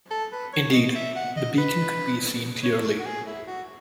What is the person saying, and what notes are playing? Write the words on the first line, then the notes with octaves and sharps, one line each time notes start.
Indeed, the beacon could be seen clearly.
A4
B4
C#5
D#5
E5
F#5
D#5
B4
C#5
F#4
G#4
E4
F#4